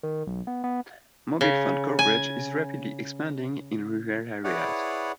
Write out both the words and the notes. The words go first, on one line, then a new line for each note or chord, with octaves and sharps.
Mobile phone coverage is rapidly expanding in rural areas.
D#3
B1
B3
B3
C#3
G#5
E4 G#4 B4 C#5 D5 F#5